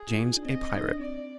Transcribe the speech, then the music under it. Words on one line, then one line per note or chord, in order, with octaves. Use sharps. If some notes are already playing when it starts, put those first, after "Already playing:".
James, a pirate.
Already playing: G#4
F4
F4
D#4
D4
C4 D#5
D#4
D4
C4 D5